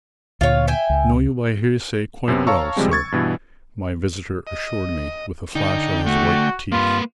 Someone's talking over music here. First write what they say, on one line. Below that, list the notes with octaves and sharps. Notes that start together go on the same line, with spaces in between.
"Know you by hearsay quite well, sir," my visitor assured me, with a flash of his white teeth.
D2 A#2 F4 C#5
E5 G5 G#5
C#2
F#2 C3 B3
C#5 F5 A5 A#5 C#6 E6
C3 F3 G3 G#3 C4
C#6 G#6 A6
G2 B2 E3
D#5
D3 D#4 G5
A3 F#4
G2 A#3 F4 B4